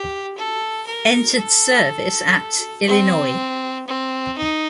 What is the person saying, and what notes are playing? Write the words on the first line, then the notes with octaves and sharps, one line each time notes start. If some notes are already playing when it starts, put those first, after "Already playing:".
Entered service at: Illinois.
Already playing: G4
A4
A#4
A4
C4
C4
D#4